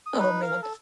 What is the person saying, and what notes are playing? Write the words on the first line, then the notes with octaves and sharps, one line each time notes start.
Oh, man.
D#6
D#4 B4
A#4 F5
A4